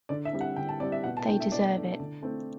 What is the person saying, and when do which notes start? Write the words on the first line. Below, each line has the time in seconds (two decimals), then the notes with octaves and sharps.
They deserve it.
0.09 D3 D5
0.25 E5
0.33 G3 C4
0.41 F#5
0.56 D3 G5
0.69 A5
0.80 C4 D5
0.83 G3
0.92 E5
1.04 B2 F#5
1.17 A5
1.29 D4 G5
1.31 A3
1.40 E5
1.52 B2 D5
1.75 A3 D4
2.00 D3
2.22 A3 C4